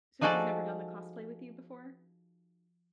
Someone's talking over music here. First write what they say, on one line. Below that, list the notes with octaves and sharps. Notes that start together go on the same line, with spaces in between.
So she's never done the cosplay with you before?
F3 D#4 F#4 G#4 A4 D5